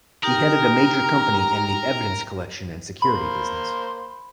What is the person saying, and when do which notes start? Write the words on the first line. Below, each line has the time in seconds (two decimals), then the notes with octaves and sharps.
He headed a major company in the evidence-collection and security business.
0.23 D#4 G4 A#4 G5 A#5
3.02 A#3 C5 B5 C6